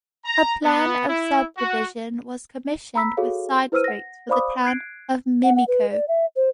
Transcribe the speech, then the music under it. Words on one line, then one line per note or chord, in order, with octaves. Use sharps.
A plan of subdivision was commissioned with side-streets for the 'Town of Mimico'.
A#5
B3
E4
F#4
A#5 B5 E6 B6
F#4 G#4 A4 C#5 F5
E4 B4 C5 E6 F6 D#7
F#5 A#6
C5 D5 F5 B5 D6 D#6
F#6 G#6 C7 D7
F#5
F#5
B4
D5
E5
C5